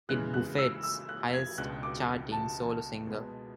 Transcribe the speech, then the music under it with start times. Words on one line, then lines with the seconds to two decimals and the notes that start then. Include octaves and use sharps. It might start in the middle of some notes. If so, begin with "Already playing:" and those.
It Buffett's highest charting solo single.
0.09 C#3 E3 G#3 F#6
0.34 F#6
0.58 E6
0.83 E6
1.09 F#6
1.33 G#6
1.58 C#2 B2 G#3 D4 F#6
1.83 D6
2.32 A5
3.07 B2 G#3 B3